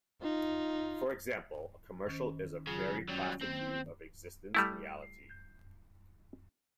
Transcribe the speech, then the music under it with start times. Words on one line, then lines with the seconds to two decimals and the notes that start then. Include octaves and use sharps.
For example, a commercial is a very plastic view of existence and reality.
0.22 D#4 F4
2.07 D#3 C#4 C5
2.67 C#3 F#3 F4
3.09 F#3 G3 C#4
3.42 D#3 A#3 C4
4.55 G3 A3 E4